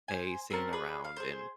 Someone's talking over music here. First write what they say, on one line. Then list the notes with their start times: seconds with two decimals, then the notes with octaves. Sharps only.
hey, sitting around and
0.08 C5 G#5
0.50 C4 C#4 A#4 A5
0.73 G#4 B4 D5
1.04 F5
1.16 G#4 C5